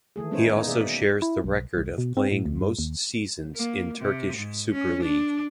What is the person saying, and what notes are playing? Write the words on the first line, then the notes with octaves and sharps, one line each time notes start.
He also shares the record of playing most seasons in Turkish Super League.
D#3 E3 A3 G#4
G#3 B3 C#4 D#4 C5 C#5
A#3 D#4
B2 G#4 D5 E5
E4
B1
C2
B2
C4
A2
D2
G2
D#2
A#3
C3
G#2
C#4
D4